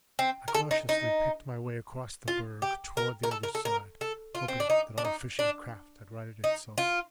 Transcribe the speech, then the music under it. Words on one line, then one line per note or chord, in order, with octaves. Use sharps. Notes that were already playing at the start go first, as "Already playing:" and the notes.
I cautiously picked my way across the berg toward the other side, hoping that our fishing craft had righted itself.
C4
A#4
A4
D#4
D#4
F4
G4
A#4
A#4
A4
A#4
A4
A#4
A4
F4
C4
D4
D#4
D4
D#4
D4
D#4
F4